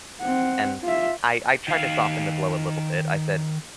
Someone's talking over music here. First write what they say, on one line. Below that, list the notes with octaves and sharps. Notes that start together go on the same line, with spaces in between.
And I I tried to soften the blow a little bit, I said,
C4 F#5
F4 E5
D#3 F5